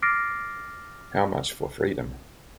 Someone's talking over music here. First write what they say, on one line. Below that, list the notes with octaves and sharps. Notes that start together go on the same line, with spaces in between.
How Much for Freedom?
D6 F6 A6 A#6 C7 D7